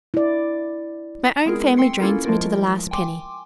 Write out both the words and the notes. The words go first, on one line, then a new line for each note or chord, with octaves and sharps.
My own family drains me to the last penny.
E4 D5
G#3 B3 C4 E4 G#4 A#4
C4 G5 C6 C7 C#7
A#3 C#4 E4 F4 A4 A#4
F3 G#3 A3 E4 F4 A#4
G5 G#5 C6 D6